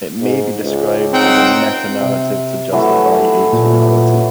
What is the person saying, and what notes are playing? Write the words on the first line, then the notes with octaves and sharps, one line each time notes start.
It may be described as a metanarrative to justify atonality.
G#2
C#2
C4 D#4 F#5 G5
C3
E3 F#3 A3
A#2